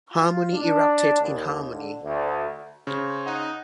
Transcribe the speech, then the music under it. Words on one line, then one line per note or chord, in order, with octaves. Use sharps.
Harmony erupted in Harmony.
F4
D4
D#2
D3
D2
C#3 C5 C#5 C#6
D#4 F#5 F#6